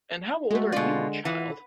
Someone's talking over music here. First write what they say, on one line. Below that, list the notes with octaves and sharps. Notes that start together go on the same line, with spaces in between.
And how old are you, child!
G#3 A3 F#4
B2 D3 G#3 F4 D5
E3 F4 F#5